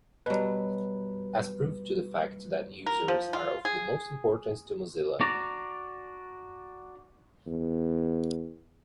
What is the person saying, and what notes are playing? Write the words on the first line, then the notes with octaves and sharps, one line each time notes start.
As proof to the fact that users are of the most importance to Mozilla.
B2 F#3 G3 B4
A#4
F3
F4
G#4
D4 F#4 D5 A#5
E2